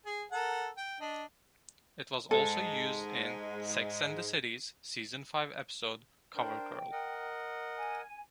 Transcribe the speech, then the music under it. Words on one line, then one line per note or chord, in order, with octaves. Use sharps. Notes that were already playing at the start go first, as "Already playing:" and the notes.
It was also used in "Sex and the City"'s season five episode "Cover Girl".
G#4
A4 A#4 F#5
G5
D4 D#5
G#2 G#3 A4
D4 A#4 C5 G5
A#4 D#5 F#5
G#5